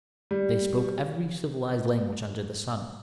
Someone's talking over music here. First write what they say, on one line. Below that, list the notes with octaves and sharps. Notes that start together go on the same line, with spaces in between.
They spoke every civilized language under the sun.
G3